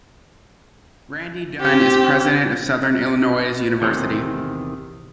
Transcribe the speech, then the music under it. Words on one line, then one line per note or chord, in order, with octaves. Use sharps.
Randy Dunn is President of Southern Illinois University.
C4 G4
E2 C3 D#3